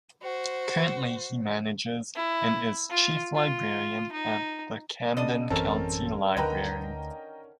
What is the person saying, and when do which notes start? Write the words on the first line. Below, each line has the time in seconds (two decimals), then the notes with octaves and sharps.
Currently he manages and is Chief Librarian at the Camden County Library.
0.23 F#4 C5
2.15 E4
2.90 F4
3.35 F4
4.12 D#4
5.17 C#3 D4 D5 D#5 D#7
5.50 A1 F#2 E3 C4 C#4 A4 A#4 A5
6.37 D2 D3 D#3 B4 D#5 G5 A#5